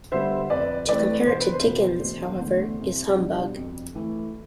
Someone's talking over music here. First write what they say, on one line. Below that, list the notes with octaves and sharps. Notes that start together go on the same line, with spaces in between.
To compare it to Dickens, however, is...humbug.
D3 G3 B3 C5 E5
F2 B4 D5
E3 A3 C4 B4 D5
E1 C5
B4
C5
E2 B2 B3
E1
E2 D3 A3 D4
C2
B2 G3 D4
F2
E3 A3